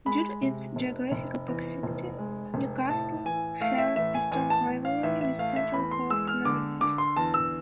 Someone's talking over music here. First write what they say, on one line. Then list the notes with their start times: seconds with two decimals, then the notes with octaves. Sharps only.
Due to its geographical proximity, Newcastle shares a strong rivalry with Central Coast Mariners.
0.06 G#3 B5
0.41 C3
0.76 F1
1.12 F1
1.48 E2
1.83 F1
2.18 G#3
2.54 F1
2.90 A2 A5
3.25 E3 G#5
3.61 A3 F5
3.78 E5
3.96 A1 E5
4.15 G#5
4.32 A1 G#5
4.50 A5
4.67 A1
4.85 F5
5.03 A1 E5
5.21 E5
5.39 A3 F5
5.56 E5
5.74 E2 B5
5.91 C6
6.10 G#3 E6
6.28 F6
6.45 D3 D6
6.81 D3 D6
6.98 C6
7.17 E2 A5
7.34 E6